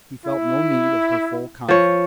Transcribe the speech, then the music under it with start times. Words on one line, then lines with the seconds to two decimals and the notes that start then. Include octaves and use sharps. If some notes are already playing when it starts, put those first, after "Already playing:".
He felt no need of her full confidence.
0.25 E4
1.69 F3 C#5